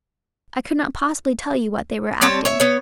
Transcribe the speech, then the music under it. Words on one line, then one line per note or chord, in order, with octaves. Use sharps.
I could not possibly tell you what they were acting.
G3 C4 C#5 A5
C#5 E5
B3 C#5